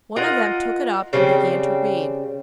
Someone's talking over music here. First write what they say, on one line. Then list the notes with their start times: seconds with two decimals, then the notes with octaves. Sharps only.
One of them took it up and began to read.
0.16 F4 A#4 D#5 F#5
1.13 C#3 G3 C4